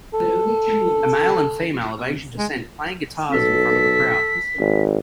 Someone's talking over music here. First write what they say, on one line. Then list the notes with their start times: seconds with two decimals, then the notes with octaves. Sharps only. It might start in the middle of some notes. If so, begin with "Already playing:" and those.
A male and female of Asian descent playing guitars in front of a crowd.
0.14 A4
2.38 G#3
3.32 B1 A4 B6
4.59 G#1